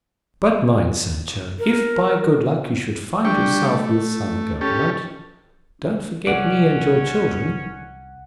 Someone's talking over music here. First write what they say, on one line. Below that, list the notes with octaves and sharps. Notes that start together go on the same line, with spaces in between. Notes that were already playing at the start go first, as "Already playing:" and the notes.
But mind, Sancho, if by good luck you should find yourself with some government, don't forget me and your children.
A#4
G3 D4 G5 C#6
A3
C#4 G4 A4
C2 C#4 D5 F#5